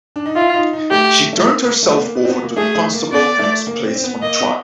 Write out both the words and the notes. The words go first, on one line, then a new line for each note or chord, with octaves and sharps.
She turned herself over to the constable and was placed on trial.
D4
D#4
E4 F4
D#4
D#4
A3 G4
A3
A#3
A#3
A3
B3
A#3
B3
C4
B3
A#3
A3 G#4
A3
A#3
B3 D5
A3
A#3
C4
C4
B3
A#3 D#5
B3